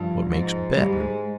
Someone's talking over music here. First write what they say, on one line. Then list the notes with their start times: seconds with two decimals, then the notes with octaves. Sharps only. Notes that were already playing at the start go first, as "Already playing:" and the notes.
What makes bettin'?
Already playing: G2 F3
0.28 G#2
0.77 G#2 G3
1.00 G#3